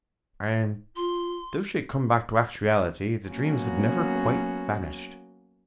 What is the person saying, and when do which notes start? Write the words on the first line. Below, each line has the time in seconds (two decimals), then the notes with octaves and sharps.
And, though she had come back to actuality, the dreams had never quite vanished.
0.96 F4 C6
3.30 F#3 A#3 B3 C#4 F#4